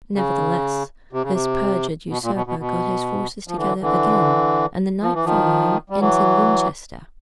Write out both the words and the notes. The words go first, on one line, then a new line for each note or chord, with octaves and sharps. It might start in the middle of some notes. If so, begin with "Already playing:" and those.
Nevertheless, this perjured usurper got his forces together again, and the night following entered Winchester.
C#3
C3
C#3
C3
B2
A#2
B2
B2
B2
F3
D3 E3
D3 E3
F3
E3
D#3 F3
G3
E3 F#3